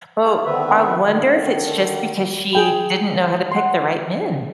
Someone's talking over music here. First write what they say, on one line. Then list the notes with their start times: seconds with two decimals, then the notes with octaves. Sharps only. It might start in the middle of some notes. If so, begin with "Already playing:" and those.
Well, I wonder if it's just because she didn't know how to pick the right men.
0.23 A#3 F4 G#4
0.45 D3 D#3 B3 C4 B4 E5
1.08 D3 D#3
2.53 G#4 G5 B5
3.52 F#5 C6